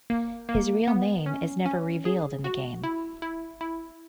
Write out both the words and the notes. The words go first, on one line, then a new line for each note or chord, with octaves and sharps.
His real name is never revealed in the game.
A#3
A#3
B3
C#4
C#4
G#4
F#4
E4
E4
E4